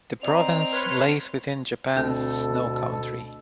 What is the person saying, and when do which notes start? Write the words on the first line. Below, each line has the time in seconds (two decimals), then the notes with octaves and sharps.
The province lays within Japan's "Snow country".
0.23 C4 D5 D#5 A#5 F7
0.72 B4 C#5 C6 F6
1.97 D2 B2 C4 A4